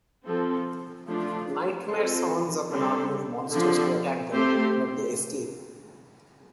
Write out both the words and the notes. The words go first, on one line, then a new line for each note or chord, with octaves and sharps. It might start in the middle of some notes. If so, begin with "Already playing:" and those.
Nightmare summons up an army of monsters to attack them, but they escape.
F3 C4 A4
F3 A3 D4 F4
C4 F4 A4
D3 G3 C4 A4
D3 F3 C4
A3 C4 G4 C5